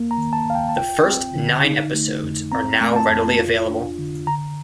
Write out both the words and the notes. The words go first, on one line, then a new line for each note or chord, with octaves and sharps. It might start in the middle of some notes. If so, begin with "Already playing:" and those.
The first nine episodes are now readily available.
Already playing: D#2 A#3
A#5
D#3
A5
D2 F5
G5
A5
F4 G5
C4
D3
D#4
A3
F2
C4 A#5
A3
A5
F2
F4
D4
D3
D3 A#5